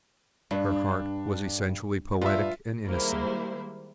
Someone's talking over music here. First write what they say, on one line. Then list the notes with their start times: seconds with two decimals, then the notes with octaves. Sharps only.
Her heart was essentially poetic and innocent.
0.51 G2 D4
2.21 G2 F4 E5
2.87 D#3 G3 G#3 A#3 E4 C5